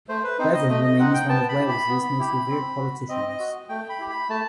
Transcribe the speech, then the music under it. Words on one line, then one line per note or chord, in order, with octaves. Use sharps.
Bevan remains one of Wales' most revered politicians.
A3 C5
B4
C4 D#4 C5
D#5
A3 D#5
D#5
C4 D#4 F#5
G5
B3 A5
B5
E4 G4
B5
B3
E4 G4
C4
F#4
C4 D#5
D#5
F#4
A3 G5
B5
E4 G4
B5
A3 A5